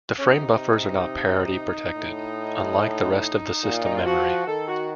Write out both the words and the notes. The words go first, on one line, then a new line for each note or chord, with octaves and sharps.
The frame buffers are not parity-protected, unlike the rest of the system memory.
C#4
C3 D#4
A2
A#2 F#4
F4
D#4
F4
F3 F#4
D#3 A4
F#4